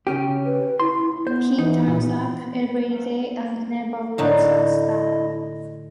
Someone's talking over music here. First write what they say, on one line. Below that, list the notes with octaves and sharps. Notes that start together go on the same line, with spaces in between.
He turns up every day and never lets us down.
C#3 C#4 G4
B4
E4 C6
B3 C5
E3 D#4
A#2
A2 D3 D#4 E4 D#5